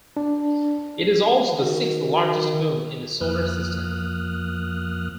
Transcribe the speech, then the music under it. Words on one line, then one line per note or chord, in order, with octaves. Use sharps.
It is also the sixth-largest moon in the Solar System.
D4
D#3 F#4
F2 F3 A#3 D#6 F6 F#6